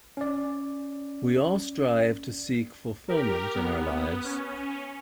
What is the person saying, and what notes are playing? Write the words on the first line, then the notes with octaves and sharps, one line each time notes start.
We all strive to seek fulfilment in our lives.
C#4 D5
G4 A#4
B3
C#4